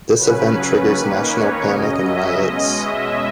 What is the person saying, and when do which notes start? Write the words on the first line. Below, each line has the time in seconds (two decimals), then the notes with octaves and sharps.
This event triggers national panic and riots.
0.18 C#3 F#3 C#4 B4
0.94 D#3 A#3 C#4
1.31 C#5
1.69 F#2 C#3 F#3 C#4 D#5
2.06 E5
2.44 B2 G#3 C#4 D#5
2.82 E5